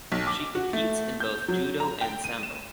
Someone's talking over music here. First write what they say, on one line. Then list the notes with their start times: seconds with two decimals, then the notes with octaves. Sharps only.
She competes in both judo and sambo.
0.12 B1
0.27 D6
0.55 F#4
0.73 A3
1.20 G6
1.48 F#3
1.80 A#5
2.01 G5
2.24 D#7
2.43 E7